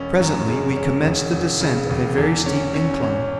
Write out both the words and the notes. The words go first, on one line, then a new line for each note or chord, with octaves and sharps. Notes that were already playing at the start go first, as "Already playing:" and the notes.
Presently we commenced the descent of a very steep incline.
Already playing: E1 C#4
F#2
G#3
C#4
E1
E1
C#3
E1
E2
C#4
C#4
C#4